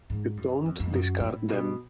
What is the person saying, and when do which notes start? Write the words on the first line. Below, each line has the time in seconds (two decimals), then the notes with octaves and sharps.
You don’t discard them.
0.10 G#2
0.37 F#2
0.65 F2
0.80 F2
0.93 F#2
1.20 A2
1.48 B2